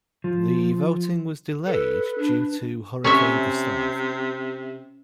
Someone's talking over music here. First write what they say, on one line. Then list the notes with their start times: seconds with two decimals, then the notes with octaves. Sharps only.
The voting was delayed due to Hurricane Gustave.
0.24 F3
1.66 A4 B4
2.18 D4
3.04 C3 C#4 C#5 E5